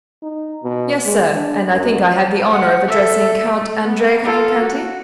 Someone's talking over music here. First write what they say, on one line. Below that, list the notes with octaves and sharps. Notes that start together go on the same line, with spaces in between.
"Yes, sir, and I think I have the honor of addressing Count Andrea Cavalcanti?"
D#4
B2
G#3
D4
F#2
F#5
A4 E5
A3
B3
F4 A4
F#4